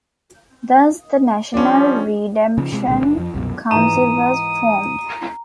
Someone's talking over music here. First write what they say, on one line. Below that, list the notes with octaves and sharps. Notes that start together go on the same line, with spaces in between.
Thus the National Redemption Council was formed.
F3 G3 C#4 D4
C#3 F3
C3 G#3
C2 A#2 D3 G#3
F#1 C#3 D4
F2 F3
C2 F#2 B2
G#2 E3 A#5 D#6